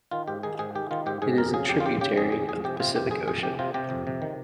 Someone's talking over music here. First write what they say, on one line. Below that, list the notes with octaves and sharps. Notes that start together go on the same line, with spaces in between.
It is a tributary of the Pacific Ocean.
D#3 F4
G#2 G4
D#3 G#4
G#2 G#4
D#3 G4
D#3 F4
G#2 G4
G#2 G#4
F2 A#4
C#3 G#4
F2 G4
F4
C#3 G4
C#3 G4
F2 G#4
F2 G#4
F2 G#4
C3 G4
C3 F4
F2 G4
F2 G#4
F2 G#4
C3 G4
C3 F4
C3 G4
F2
C3
D#3